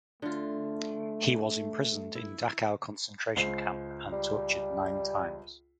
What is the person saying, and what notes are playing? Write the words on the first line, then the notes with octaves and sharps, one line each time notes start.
He was imprisoned in Dachau Concentration Camp and tortured nine times.
D3 A3 F4
E4
C#2 C5 C7
G3